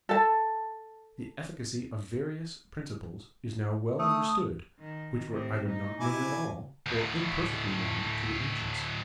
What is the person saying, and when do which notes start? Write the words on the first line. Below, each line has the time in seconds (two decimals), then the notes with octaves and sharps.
The efficacy of various principles is now well understood, which were either not known at all, or imperfectly known to the ancients.
0.09 A4 A5
3.99 A3 D#6
4.80 D#3
5.30 A2 C3
5.69 D#4
6.00 B2 E4 G#5 D6
6.86 D2 A2